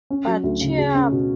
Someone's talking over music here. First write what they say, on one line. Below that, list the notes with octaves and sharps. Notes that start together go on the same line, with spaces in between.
But cheer up!
C#4
F#3
D2
C#3
G#4
C#4
B2